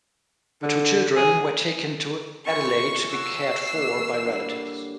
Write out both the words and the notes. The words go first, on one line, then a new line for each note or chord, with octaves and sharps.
Her two children were taken to Adelaide to be cared for by relatives.
D3
G#4
C#4 E4 F4 C#6
F#4 C#5 E6 C7
E3 A#3
D3 G3